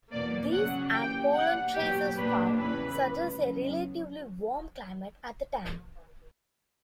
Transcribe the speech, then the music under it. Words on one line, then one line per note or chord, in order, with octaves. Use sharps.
This, and pollen traces found, suggests a relatively warm climate at the time.
E2 B2 A#3 D5
F#2 C#3 F#3 F#5
E3 A#3 C#4 G4 G5
B2 G3 A#3 D4 F#5
E2 B2 F#3 A#3 G4
A#2 A#3 D4 G4 B4
E2 C#3 E3 B4
D2 C#3 G3
E2 C#3 F#3 C#4